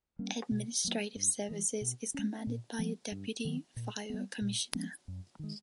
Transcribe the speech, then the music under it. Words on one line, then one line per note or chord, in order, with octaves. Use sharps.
Administrative Services is commanded by a Deputy Fire Commissioner.
G3 A#3 C#4
B2
F#3 A#3
G2
E3 G#3
B2
G#3 C#4
A#2
F3 G#3 B3
G2
D#3 F#3 B3
A#2
G3 B3
A#2
F3 G#3 B3
F#2
D#3 G#3